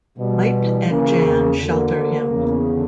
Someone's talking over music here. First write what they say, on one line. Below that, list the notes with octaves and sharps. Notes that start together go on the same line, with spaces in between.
Miep and Jan shelter him.
B2 G3
E3
C#3 A#3
E2
D2 D3 A#3
A#3
E2 C#3
D3